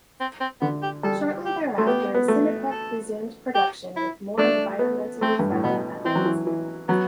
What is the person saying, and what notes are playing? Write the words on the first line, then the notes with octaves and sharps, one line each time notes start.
Shortly thereafter, Sinopec resumed production with more environmentally friendly methods.
C4
C4
D3 B3
G4
G3 A4
G4
A3
B3 G4
B3
A3
A4
G4
E4
A3 D4
B3
A3 C4
G2
A2
B2 B3
E3 C4
F#3
E3
E3
F#3 B3